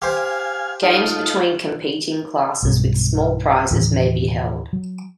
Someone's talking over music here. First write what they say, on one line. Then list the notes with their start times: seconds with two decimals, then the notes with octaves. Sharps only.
Games between competing classes with small prizes may be held.
0.02 G4 C5 F5 G#5
0.83 D#4 F4 A4
2.63 B1 G2 B2
3.71 D#2 A2 D3 E3
4.73 F#3